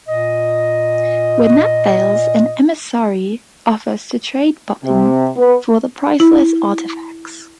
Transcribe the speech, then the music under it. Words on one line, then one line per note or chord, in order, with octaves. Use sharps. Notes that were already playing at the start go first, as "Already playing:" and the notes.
When that fails, an emissary offers to trade Barton for the priceless artifacts.
A#2 D#5
C3
B3
E4